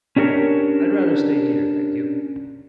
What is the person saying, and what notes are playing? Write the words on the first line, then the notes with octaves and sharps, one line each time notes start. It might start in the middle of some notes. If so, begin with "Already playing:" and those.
I'd rather stay here, thank you.
C#4 D4 G4 A#4 C#5